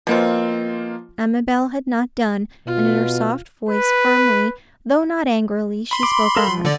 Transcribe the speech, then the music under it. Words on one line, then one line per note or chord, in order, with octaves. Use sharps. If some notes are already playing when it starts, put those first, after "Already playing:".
Amabel had not done; and in her soft voice, firmly, though not angrily, she spoke on.
B2 F3 A#3 C4 F4
B2 F4
B4
B5 C6
D6
A4 A#4 F5
F3
D3 D5